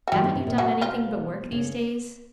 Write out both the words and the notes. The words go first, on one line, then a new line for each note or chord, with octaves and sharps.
'Haven't you done anything but work these days?'
F#4
E3 F#3 G3 G4
D#3 F3
C3
A#2
B2 F#3 F#4
F3 F4
C#3